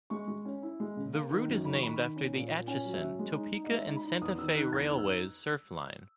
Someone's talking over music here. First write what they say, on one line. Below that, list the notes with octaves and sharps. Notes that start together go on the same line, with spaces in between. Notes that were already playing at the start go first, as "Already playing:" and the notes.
The route is named after the Atchison, Topeka and Santa Fe Railway's Surf Line.
G#3 C#6
G#3
C#4
E4
G#3
C#3
A#3
D#3
F#2
D#3 B5
C#6
D#3 B5
D#3
C#4
A#2
A#2
C#4 G#5
F#3
E5
C#4
G#3
D#4
D#4
D#5
G#3 E5
D#4
B5
D#4
E2 D#6
D#3 E6
D#4 F#6
E2 G#6
D#4
E6